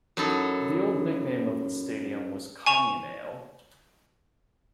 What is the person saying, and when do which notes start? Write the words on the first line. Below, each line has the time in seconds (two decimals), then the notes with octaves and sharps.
The old nickname of the stadium was Comunale.
0.17 F#2 D#4 E4 A4
2.66 G#5 C#6 E7 F7